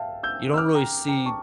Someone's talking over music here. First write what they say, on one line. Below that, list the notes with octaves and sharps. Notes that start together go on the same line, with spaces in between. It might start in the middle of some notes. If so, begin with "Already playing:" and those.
you don't really see
Already playing: E5 F5 G5 A5
E6 G6
E6
D6 F6
G5 A#5
G5 A#5
A5 C#6